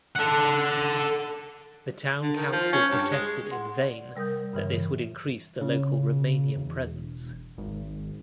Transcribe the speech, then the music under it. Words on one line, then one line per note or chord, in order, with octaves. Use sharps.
The town council protested in vain that this would increase the local Romanian presence.
A4 F#5
D3
D#3
F3
C#4
G2
G#3
F#5 C6
D5
C3 G3 A#4 D#6 G6
G2 C#3 E3
C#3
E1
G#1